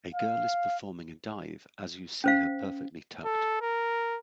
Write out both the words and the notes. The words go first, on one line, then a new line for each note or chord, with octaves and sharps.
A girl is performing a dive as you see her perfectly tucked.
F5
C#4 C5 F5
A4
A#4